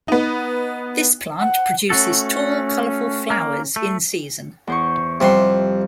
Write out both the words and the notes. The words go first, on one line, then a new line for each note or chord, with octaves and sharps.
This plant produces tall colorful flowers in season.
B3 D#4
F#5
A3 C#4 F#4 A4
A#3
A3
E2 C5 C#6
F2 C3 G3 E5 F#5 C6